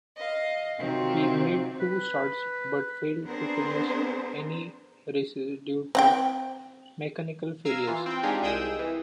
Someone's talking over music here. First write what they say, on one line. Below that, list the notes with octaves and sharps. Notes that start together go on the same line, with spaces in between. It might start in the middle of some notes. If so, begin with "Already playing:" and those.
He made two starts but failed to finish any races due to mechanical failures.
D#5 F5
C3 D#3 F#3 C4 F4
B4
B3 C4 D4 G#4 A#4 C5
C4 F#5 G5
F5 A#5 E6 F6 G#6 C7
E3 F4
C4 G5
G#3 D4 D#4 F4 G4 G#4
C2 G#3 G#4 G5 D#6 E6
E3